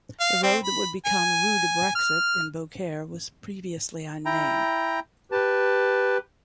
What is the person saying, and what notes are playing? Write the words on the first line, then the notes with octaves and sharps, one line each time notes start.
The road that would become "Rue du Brexit" in Beaucaire was previously unnamed.
F5
C4
B5
G#5
F6
E4 G5 A#5
G4 B4 A5